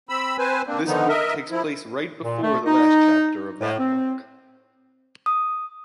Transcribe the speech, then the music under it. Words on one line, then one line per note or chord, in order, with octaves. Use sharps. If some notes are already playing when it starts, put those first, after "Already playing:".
This book takes place right before the last chapter of that book.
C4 B5 E6
C4 B4 C5 G#5
A#3 C4 D4
D3 D#3 F3 B3 D#4
A#4 D#5 E5
F3 E4
A#2
A3
D#4
A2
C4
D#6